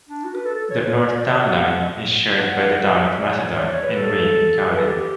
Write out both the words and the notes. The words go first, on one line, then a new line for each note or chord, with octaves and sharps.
The north town line is shared by the town of Macedon in Wayne, County.
D4
F#4
B4
A4
A4
C#5
B4
D5
F#5
F#5
F#5
E5
D5
C#5
D5
C#5
B4
A4
G4
B4
A4
G4